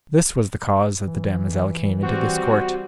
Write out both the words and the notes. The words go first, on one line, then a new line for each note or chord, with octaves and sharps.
This was the cause that the damosel came into this court.
E3
G3 C4 F#4